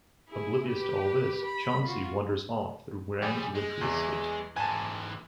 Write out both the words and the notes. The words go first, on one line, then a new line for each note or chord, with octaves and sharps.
Oblivious to all this, "Chauncey" wanders off through Rand's wintry estate.
E4 G#4
G4 B4
B5
F4 F#4
G3 G#4 D5 G5
G#3
E2 E3
G#2 E3 G#5 A5